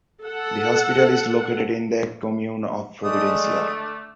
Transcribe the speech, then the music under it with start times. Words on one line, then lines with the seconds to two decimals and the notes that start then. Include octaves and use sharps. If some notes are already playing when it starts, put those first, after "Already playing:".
The hospital is located in the commune of Providencia.
0.23 A4 F#5
3.04 D3 G#3 A3 D4 D#6